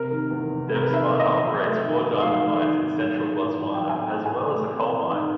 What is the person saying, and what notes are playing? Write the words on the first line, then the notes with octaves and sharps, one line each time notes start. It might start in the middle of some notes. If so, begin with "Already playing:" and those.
Debswana operates four diamond mines in central Botswana, as well as a coal mine.
Already playing: C3 A#4
D#3
E2
F1
C3 B4
A#4
B4
D#3
E5
E2
D#5
F1
F#3 E5
A3
D#3
G#2
F#3 F5
A3
D#3
G#2
F#3
A1
A2
A1
F#3 G5
G#5
A1
G5
A2
G#5
A1
A3
C4
E3
G#2